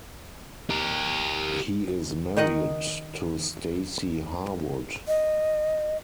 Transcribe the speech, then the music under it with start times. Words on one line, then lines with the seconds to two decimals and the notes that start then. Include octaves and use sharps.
He is married to Stacey Harwood.
0.70 G4 A#4
2.37 D#3 D#4 D#5 F#5
5.07 D#5